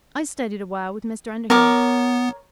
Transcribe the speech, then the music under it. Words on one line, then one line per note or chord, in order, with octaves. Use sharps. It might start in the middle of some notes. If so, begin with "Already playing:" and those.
I studied awhile with Mr. Underhill.
B3 A#4 C#5 D6